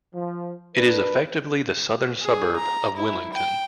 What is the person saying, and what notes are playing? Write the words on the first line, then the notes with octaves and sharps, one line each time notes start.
It is effectively the southern suburb of Willington.
F3
D4 A#4 B4
G#4
A#5
E4
G5